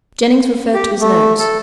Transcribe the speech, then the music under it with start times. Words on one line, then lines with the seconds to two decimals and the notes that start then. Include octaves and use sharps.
Jennings referred to his notes.
0.74 G4
1.01 A3
1.39 A4